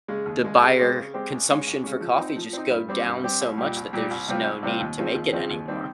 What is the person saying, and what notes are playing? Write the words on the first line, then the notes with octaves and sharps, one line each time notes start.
the buyer consumption for coffee just go down so much that there's just no need to make it anymore?
C#3 G#3
D#2
C#3 G#3
C#3
G#3 C4 G4 C5
C#3
G#3 C4 G4 C5
C#2
C#3 G#3 C#4
C#2
C#3 G#3 C#4
F3
C4 D#4
F3
C4 D#4
G2
G3 C4 G4
G2
G3 C4 G4
C2
A#2 G3
C2
A#2 G3
C2
C3 G3 C4 F4
C2
C3 G3 C4 F4
D#2
C#3 F3 C4
D#2
C#3 F3 C4
D#2
D#3 G3 C4